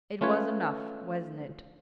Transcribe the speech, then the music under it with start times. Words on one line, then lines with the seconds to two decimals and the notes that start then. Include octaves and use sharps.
It was enough, wasn't it?
0.21 A3 C#4 F4 B4 C#5